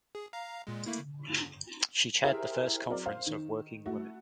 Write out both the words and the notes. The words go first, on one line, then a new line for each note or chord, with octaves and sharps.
She chaired the First Conference of Working Women.
G#4
F5 A#5
A#2 G#3
A3 A#3 E4
E4 G4 G#4 A#4 C5 E5
F#3 C4 A#4 D5
C5 F5
D#3
A3 E4 F#4